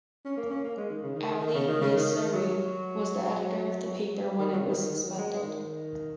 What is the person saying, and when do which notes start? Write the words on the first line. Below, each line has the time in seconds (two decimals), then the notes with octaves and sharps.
Ali Yasseri was the editor of the paper when it was suspended.
0.25 C#4
0.37 A#3
0.50 C#4
0.64 A#3
0.77 G#3
0.90 D#3
1.02 C#3
1.15 D#3
1.29 D#3
1.41 D#3
1.54 C#3
1.67 D#3
1.81 C#3
1.97 D#3
2.15 D#3
2.33 F#3
4.39 D#3
4.53 F#3
4.59 C#3
4.65 D#3
4.78 D#3
4.91 D#3
5.04 F#3
5.18 G#3
5.30 G#3
5.43 D#3